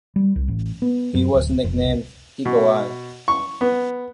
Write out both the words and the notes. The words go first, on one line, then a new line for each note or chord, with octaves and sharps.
He was nicknamed "eagle eye".
G3
C2
A1
B3
F#2
D1
F1
C2
B2
C#6
B3